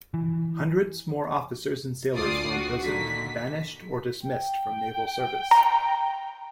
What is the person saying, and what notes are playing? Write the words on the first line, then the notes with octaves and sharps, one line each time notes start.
Hundreds more officers and sailors were imprisoned, banished or dismissed from naval service.
E3
D2 F4 D5 D6 D#6 C7
F#4
A#2 D3 D#3 B6
G5
A#5